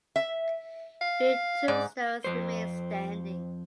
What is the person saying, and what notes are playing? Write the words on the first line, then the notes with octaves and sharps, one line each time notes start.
Few tombstones remain standing.
E5
F5
G#2 D5
F2 C5